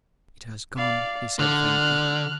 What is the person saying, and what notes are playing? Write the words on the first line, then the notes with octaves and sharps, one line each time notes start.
"It has gone!" he said faintly.
D5 F5
D3 F6 F#6